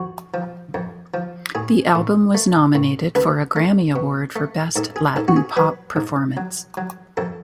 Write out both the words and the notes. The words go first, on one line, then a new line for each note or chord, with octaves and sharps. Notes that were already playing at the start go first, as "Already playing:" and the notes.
The album was nominated for a Grammy Award for Best Latin Pop Performance.
Already playing: F2 F#4
F3
F2
F3
A2 G#4
A2
A3
A2
C#2 B4
A3
B2
A3
G#2 A4
G#4
G#2 A4
F#4
G#4
F#3 B4
G#2
F#3
F#3
F2 A4